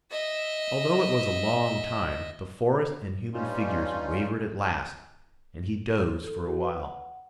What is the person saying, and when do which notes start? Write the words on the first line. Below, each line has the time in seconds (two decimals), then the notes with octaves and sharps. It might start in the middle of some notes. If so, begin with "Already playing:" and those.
Although it was a long time, the forest and human figures wavered at last, and he dozed for a while.
0.11 D#5 E5
3.32 G2 G3 C#4 D#4 F4
6.24 A4
6.47 F#4
6.61 B4
6.83 F#5